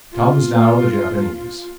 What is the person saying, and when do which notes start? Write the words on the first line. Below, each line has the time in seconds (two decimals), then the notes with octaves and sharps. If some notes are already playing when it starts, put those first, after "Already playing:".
Comes now the Japanese.
0.13 F4